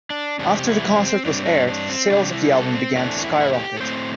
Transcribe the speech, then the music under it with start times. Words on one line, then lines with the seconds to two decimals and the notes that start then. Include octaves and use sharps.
After the concert was aired, sales of the album began to skyrocket.
0.10 D4
0.39 E2 C3 G3 C4 D4
0.59 G4
0.67 E4
0.96 C4
1.25 G2 G3 C4 D4
1.46 D4
1.67 D4
1.89 C4
2.11 C3 G3 C4 D4
2.32 E4
2.53 A4
2.74 C4
2.96 E2 E3 A3 C4 D4
3.24 E4
3.32 D4
3.40 E4
3.53 G4
3.77 A4
3.81 A2 A3 C4 C5